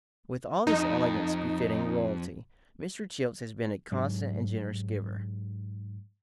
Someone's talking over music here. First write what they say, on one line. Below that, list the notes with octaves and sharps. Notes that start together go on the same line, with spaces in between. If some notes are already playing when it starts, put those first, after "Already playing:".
With all this elegance, befitting royalty, Mr. Childs has been a constant and generous giver.
F2 D#4
G#2 F#3